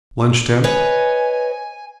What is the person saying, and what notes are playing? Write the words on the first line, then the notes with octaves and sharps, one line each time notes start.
Lunch Temp.
B4 C#5 D#5 G#5